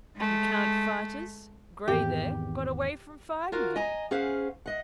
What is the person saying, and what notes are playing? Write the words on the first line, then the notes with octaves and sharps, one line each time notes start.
You can't fight us--Gray, there, got away from five of you.
G#3 A3
G#1 E2 G4
F4 F#4 A#4 F5
D#5 G#5 A#5
C#4 G#4 C5 F5 F#5
D#5 F#5